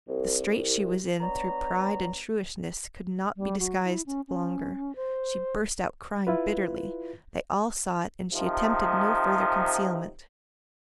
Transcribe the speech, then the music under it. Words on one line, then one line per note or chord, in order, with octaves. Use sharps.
The strait she was in through pride and shrewishness could not be disguised longer: she burst out crying bitterly; they all saw it; and she attempted no further concealment.
C2
B3 D4 C#5 A#5
G3
F#3
E4
C#4
C#4
C5
E4 F4 B4
C3 D#3 F3